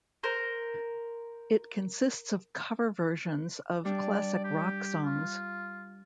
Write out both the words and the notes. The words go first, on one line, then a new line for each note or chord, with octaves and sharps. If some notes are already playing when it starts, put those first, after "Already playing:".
It consists of cover versions of classic rock songs.
A#4 C5
G3 D4 D5
G4
F4